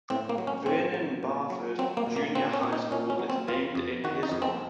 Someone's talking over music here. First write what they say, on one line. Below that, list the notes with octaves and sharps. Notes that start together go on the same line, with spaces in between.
Vernon Barford Junior High School is named in his honour.
A2 C4
A#3
F#3
C#4
A2 C4
F#3
A#2
F#3
F#3 C4
A#3
A#2
A#3
A#2 C4
C#4
A#2
D#4
A#2 C#4
C#4
F#3
C4
F2 F4
F2
D#3 F#4
D#4
F2
C4